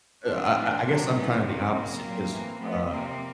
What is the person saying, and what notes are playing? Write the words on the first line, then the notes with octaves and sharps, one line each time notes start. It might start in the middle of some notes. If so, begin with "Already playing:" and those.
uh, I I guess I'm kinda the opposite, 'cause, uh,
C3 F3 C4 D4
A2 E3 C4 D4
C3 D#3 F#3
A2 E3 B3 C#4
C3 D#3 F#3 A#3 C4
C#3 F#3 A#3 C4
A#2 F#3
A2 E3
C3 F3 A3 B3
C3 F3 A#3 C4